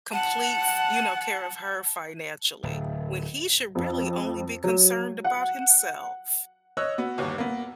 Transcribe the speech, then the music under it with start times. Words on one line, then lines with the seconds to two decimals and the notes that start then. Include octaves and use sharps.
complete f you know, care of her financially, when he should really only be concerned about himself.
0.13 F#5 A5
2.63 D1
3.75 F2
4.64 F#3
5.24 F#5
6.77 C#5 D#5 C#6 E6 F#6
6.98 B3 F#4
7.18 G1 D#2
7.38 A#3 B3